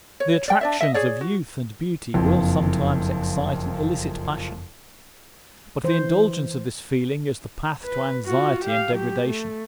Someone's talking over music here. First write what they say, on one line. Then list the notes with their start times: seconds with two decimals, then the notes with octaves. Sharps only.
The attractions of youth and beauty will sometimes excite an illicit passion, but the indulgence of this feeling is the path to anxiety and degradation.
0.20 C#5
0.48 D5 G5
0.61 D4 D5 E5
0.81 D#5 E5
0.94 G#4 C#5 D5
1.21 F#4
2.14 F#1 F2
5.84 E3 C5
7.85 B4
8.26 F4 F#4
8.65 G4 F5
8.95 F#3 G4
9.24 A3